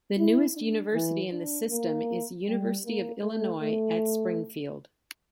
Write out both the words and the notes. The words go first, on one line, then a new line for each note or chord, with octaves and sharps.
The newest university in the system is University of Illinois at Springfield.
E4
D4
E3
D4
A#3
G3
A#3
A3
A3